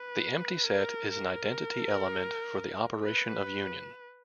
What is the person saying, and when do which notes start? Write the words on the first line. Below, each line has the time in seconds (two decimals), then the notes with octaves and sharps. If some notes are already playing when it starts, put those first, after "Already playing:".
The empty set is an identity element for the operation of union.
Already playing: B4
0.64 A#4
1.12 A#4
3.03 B4